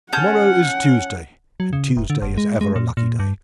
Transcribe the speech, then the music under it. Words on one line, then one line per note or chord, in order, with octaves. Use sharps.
To-morrow is Tuesday, and Tuesday is ever a lucky day.
C#4 F#5 A5 G6
F#3
C#3
E1
D3
F#1
G#3
G#3
A#2
A#2
G2